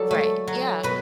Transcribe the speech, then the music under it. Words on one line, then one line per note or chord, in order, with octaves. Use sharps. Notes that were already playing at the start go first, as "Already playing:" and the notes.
Right. Yeah.
Already playing: F#3 A4 D5
A3
F#3
B2 B4